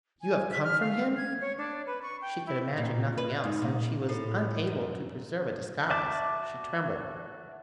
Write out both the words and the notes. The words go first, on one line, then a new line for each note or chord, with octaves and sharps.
"You have come from him?" she could imagine nothing else, and she was unable to preserve a disguise; she trembled.
G#5
B6
F6
F5
G#6
C#5
D4
B4
C#6
G5
E4
A#2
B4
G#2
A#2
A2
F#2
F#4 D5 E5 A5 D6